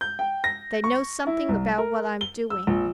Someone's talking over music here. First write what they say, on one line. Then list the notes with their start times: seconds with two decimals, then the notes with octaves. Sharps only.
They know something about what I'm doing.
0.01 G6
0.19 G5
0.44 A#6
0.84 C#6
1.27 E4
1.49 C2
1.78 A#4
2.21 G7
2.50 E6
2.67 A#1